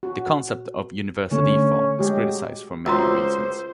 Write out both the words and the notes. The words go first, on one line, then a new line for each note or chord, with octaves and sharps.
The concept of universal default is criticized for many reasons.
F#4
D3 A3 C#4
F#3 G#3 G4 G#4
C#2 F#4 C5 A#5 C6